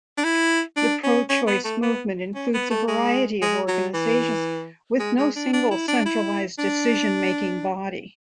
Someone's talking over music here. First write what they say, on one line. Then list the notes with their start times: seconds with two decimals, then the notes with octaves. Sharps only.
The pro-choice movement includes a variety of organizations, with no single centralized decision-making body.
0.17 D4
0.24 E4
0.76 D4
1.03 C#4
1.29 C#4
1.47 B3
1.64 A3
1.82 B3
2.35 C#4
2.54 B3
2.70 A3
2.88 G#3
3.42 G#3
3.68 F#3
3.94 E3
5.00 G#3
5.18 G#3
5.36 D4
5.53 D4
5.71 E4
5.88 D4
6.06 E4
6.58 D4